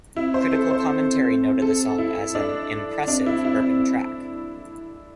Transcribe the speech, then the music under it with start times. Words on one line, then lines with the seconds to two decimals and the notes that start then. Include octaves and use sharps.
Critical commentary noted the song as an "impressive" urban track.
0.16 C4 E4
0.34 C5
0.52 A4
0.71 C5
1.62 A4
1.98 E4
2.35 D4
3.08 C4 D4
3.26 E4
3.45 E4